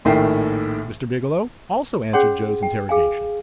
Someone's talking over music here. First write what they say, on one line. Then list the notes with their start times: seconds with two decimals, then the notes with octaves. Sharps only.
Mr. Biggielow also answered Joe's interrogation.
0.05 A#1 A2 D#3 E5 G5 C7
2.13 C#4 G#4 C#5 F#5 C6
2.63 G5
2.89 G#4 F5 G#5